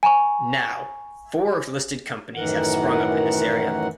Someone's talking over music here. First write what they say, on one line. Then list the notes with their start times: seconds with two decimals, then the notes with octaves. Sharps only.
Now four listed companies have sprung up in this area.
0.03 G#5 A#5 C#6
2.35 F#2 A2 D#3 E3 A#4 F#5